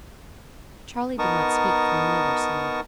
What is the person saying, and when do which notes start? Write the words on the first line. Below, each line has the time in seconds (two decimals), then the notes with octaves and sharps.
Charley did not speak for a minute or so.
1.19 B3 D#4 A#4 A5 C#6 D#6